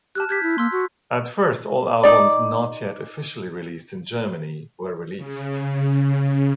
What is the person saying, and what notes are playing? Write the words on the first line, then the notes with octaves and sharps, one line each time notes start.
At first, all albums not yet officially released in Germany were released.
G4 A5 F6 F#6
G4 G6 G#6 B6
E4
A#3 C6 E6
F#4
D#4 D5
C#3